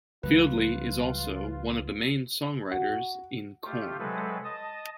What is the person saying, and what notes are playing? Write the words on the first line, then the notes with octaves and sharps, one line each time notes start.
Fieldy is also one of the main songwriters in Korn.
C#2 F3 G3 F4 B4
F#4
A3 F4 G4
C3 F#3 G#3 A4 B4
D#5 A5 D#6